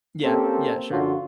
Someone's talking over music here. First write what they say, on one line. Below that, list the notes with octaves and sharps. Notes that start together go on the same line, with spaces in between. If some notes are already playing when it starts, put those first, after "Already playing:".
Yeah, yeah, sure.
A#3 C4 C#4 G4 A4
F#2 D3 F3 F#3 F4 F#4